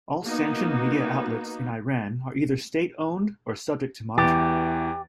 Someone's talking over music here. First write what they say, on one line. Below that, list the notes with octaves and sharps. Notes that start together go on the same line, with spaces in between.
All sanctioned media outlets in Iran are either state-owned or subject to monitoring.
A#3 B3 D#4 F#4
E2 E3 G4 A6